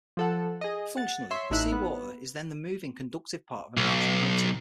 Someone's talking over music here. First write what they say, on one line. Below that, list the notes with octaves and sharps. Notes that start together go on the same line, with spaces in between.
Functionally, the seawater is then the moving, conductive part of an electric motor.
F3 A4 F#5
G#4 D#5
F#5 A6
C#5 E5 C6
A1 A3 D#4 E4 E5 F#6
B3
B1